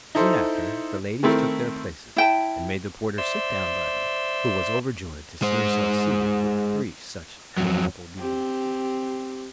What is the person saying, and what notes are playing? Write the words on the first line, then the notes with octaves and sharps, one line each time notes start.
Soon after, the ladies took their places, and made the porter sit down by them, who was overjoyed to see himself seated with three such admirable beauties.
D#4 E4 A4 C5
D#3 A3 C4 E4 A4 A#4
E4 G5 A5
C5 D5 E5 C6 E6
G#3 C5
F2 F#3
C4 G4